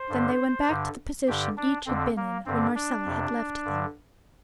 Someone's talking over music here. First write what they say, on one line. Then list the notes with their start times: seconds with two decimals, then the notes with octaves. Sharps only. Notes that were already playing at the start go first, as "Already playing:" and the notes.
Then they went back to the position each had been in, when Marcella had left them.
Already playing: C5
0.09 G2 D3
0.68 G2 D3
1.28 G2 D3 G4
1.57 D4
1.86 F2 D3 C4
2.17 A#3
2.46 G2 D3 C4
2.75 D4
3.05 F2 C3
3.64 G2 D3